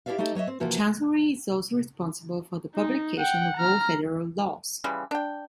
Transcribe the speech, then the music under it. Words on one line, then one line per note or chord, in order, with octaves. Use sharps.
The chancellery is also responsible for the publication of all federal laws.
E4 G4 A4 D5 E5 F5
A3 D#4 G4 A4 D#5
F#3 C#5 D#5 E5
C4
C3 E3 F3 A#3 F#4
D#4
F#5 G5
A#5 F6
C#3 E3 F3 G3
D4 G5